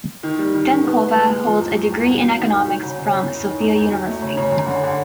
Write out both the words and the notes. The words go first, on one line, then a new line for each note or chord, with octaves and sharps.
Denkova holds a degree in economics from Sofia University.
D#3
G3
D#3
D#3
B3
B3
G#3
G#3
F3
E2
E2
E2
C2
F#3
D#3
C2
F#3
C#3
C#3
C#3
E2
D#3
E2
E2
F#3
A3
C#3
C#3
F#2
D3
D3